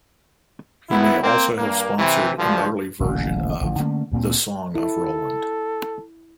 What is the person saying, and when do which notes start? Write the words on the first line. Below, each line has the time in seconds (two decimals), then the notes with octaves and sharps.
He may also have sponsored an early version of "The Song of Roland".
0.90 G#1 B3 E4
1.23 A#3 C4
1.58 G2 A#3
1.98 C3 E3
2.38 D2 G2 F3
3.00 D#1 A1 C#3
3.61 A1 D3 F3
3.79 D3 A3 A#3 C#4
4.12 D2 A#2 G3 C4
4.75 E4 A4